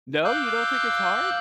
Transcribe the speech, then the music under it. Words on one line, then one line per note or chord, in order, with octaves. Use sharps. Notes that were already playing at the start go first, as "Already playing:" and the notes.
No, you don't think it's hard?
F5 D6 E6 F#6 G6